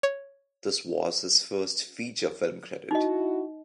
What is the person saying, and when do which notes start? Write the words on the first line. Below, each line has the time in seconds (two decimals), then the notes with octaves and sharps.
This was his first feature film credit.
0.03 C#5
2.91 D#4 E4 F#4 D#5